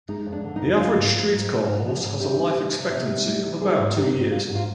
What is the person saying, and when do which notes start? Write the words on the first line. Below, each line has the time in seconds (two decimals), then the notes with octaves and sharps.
The average street car horse had a life expectancy of about two years.
0.09 G#3 D#4
0.26 F2
0.32 D4
0.44 D3
0.56 D#4
0.62 F2
0.79 G#3 F4
0.97 G#2
1.15 F3
1.33 G#2
1.50 G#3
1.67 G#2
1.84 F3
2.03 G#2
2.20 C3 G4
2.38 G3
2.56 G3
2.72 C3
2.90 C3
3.08 G3
3.25 G3
3.43 C3
3.61 G3 G#4
3.78 G#2
3.96 D#3 G4
4.14 G#2
4.31 G3 F4
4.49 G#2
4.55 F4